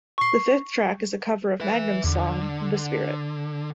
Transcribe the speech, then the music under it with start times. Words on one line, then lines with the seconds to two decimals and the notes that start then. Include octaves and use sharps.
The fifth track is a cover of Magnum's song "The Spirit".
0.18 C#6 C7
1.60 B4 E5
2.04 E2 D3